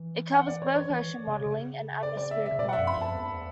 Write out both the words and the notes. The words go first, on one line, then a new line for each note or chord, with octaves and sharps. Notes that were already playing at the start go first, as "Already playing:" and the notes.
It covers both Ocean modelling and Atmospheric Modelling.
Already playing: E3
F#5
D5
C#5
C#5
E3
C#3
C#3
D5
D5
E5
E5
C#3
B2 D5
F#5
E5
F#2
B5
F#2 A5
E2